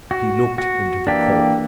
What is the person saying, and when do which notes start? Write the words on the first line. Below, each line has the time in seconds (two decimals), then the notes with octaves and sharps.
He looked into the court.
0.11 F#4
0.58 F#4
1.07 E3 A#3 D4 G4